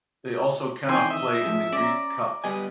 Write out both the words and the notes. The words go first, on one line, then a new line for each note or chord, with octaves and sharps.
They also cannot play in the Greek Cup.
D#3 E3 C4 G5 G#5 C6
D#5 E5
G#2 F3
C#4 D5 A#5
G3 B3 D#5 G#5